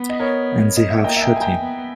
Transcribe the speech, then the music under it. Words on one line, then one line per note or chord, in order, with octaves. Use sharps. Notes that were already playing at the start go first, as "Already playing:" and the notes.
And they have shot him.
Already playing: B3
D#5
A#4 C#5
D#5
E5
A#3 D#5 G5
E5
D#5 G5
G#5
G5 A#5
B3